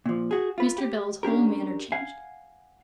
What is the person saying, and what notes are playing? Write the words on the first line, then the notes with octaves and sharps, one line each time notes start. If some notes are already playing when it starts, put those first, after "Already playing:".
Mr. Bell's whole manner changed.
A#2 F3
F#4 G#4
F4 B4
G4
C#4 D4 G4 A#4
F5 F#5 G#5